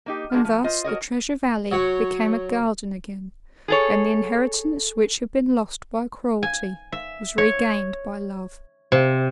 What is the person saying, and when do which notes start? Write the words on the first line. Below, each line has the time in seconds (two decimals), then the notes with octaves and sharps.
And thus the Treasure Valley became a garden again, and the inheritance which had been lost by cruelty was regained by love.
0.06 A#3 D#4 G4
0.32 F3 G#3 A#3 D4 F#4
0.45 B2 F3
0.64 F4 C5 D#5
0.84 F#4 A#4 C#5 D#5
1.71 F#3 C#5 F#5
3.68 G#4 A4 C#5
6.43 G#5
6.92 E5
7.38 C#5
8.92 C3